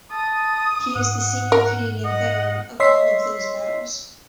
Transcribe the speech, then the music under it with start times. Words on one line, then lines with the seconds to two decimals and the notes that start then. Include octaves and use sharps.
He is the Senior Canadian Veteran of all of those Battles.
0.11 A5 D#6
0.95 G#2 F#5
1.52 A#4
2.04 D#5 F#5
2.80 C#5 D#5 C6 E6 B6 C7